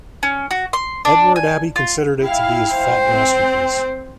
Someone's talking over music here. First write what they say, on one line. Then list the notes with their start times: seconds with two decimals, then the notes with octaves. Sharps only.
Edward Abbey considered it to be his fat masterpiece.
0.23 C#4
0.51 F#4
0.73 C6
1.05 D4
1.36 G#5
1.76 F4
2.22 E4 F5 G5
2.73 C5
3.08 C4